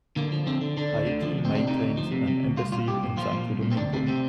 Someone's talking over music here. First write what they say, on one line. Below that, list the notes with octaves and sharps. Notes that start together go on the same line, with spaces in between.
Haiti maintains an embassy in Santo Domingo.
D3 A#3
F3
D3 C4
D3
D3 D4
D2
D3
F3
D2
C4
C3 D4
C3 D#4
D2
F3
C3
C3
D2
C2 F4
A#2 F4
C2 G4
A#2
F3 F4
A#2
C2
A#2
C4
D2 D4
C3 D4
C3 C4